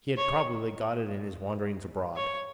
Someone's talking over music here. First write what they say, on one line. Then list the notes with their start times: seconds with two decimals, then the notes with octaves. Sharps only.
He had probably got it in his wanderings abroad.
0.17 C#5
2.16 C#5